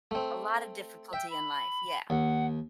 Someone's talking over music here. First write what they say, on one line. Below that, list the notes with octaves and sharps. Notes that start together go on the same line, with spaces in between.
A lot of difficulty in life, yeah,
A3 C4
E5 G5
B5
D#2 F#5